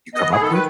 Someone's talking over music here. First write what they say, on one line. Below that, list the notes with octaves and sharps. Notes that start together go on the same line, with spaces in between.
you come up with?
B3 D#5
G#4
D#3 A4
B4